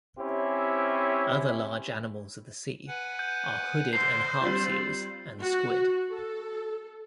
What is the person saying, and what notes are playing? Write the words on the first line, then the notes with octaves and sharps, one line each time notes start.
Other large animals of the sea are hooded and harp seals and squid.
C4 C#4 E4 G4
B4 F#5 G#5
G6
A#2 D3 C5 D#5 C7
G3 C4 F4 D5
F#4
A4